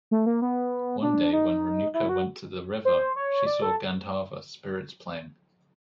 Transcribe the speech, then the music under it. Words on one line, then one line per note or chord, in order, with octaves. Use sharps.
One day when Renuka went to the river, she saw Gandharva spirits playing.
A3
A#3
B3
D4
D#4
E4
F#4
C5
C#5
D5
A4